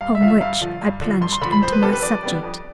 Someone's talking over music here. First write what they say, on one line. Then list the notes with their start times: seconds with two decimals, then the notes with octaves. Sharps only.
Upon which I plunged into my subject.
0.01 G2 F5
0.15 E5
0.21 D3 F3 F5
0.28 E5
0.41 G2 F5
0.61 D3 F3
0.82 G2
1.01 D3 F3
1.21 G2 C6
1.33 C6
1.41 D3 B5
1.45 F3
1.52 B5
1.62 F2 C5
1.72 B4
1.82 C3 G3 B3 D4 A4
1.93 B4
2.03 F2 D5
2.23 C3 G3 B3 D4
2.43 F2